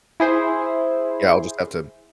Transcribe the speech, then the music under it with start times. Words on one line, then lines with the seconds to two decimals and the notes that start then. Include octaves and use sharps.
Yeah, I'll just have to
0.20 E4 G#4 C5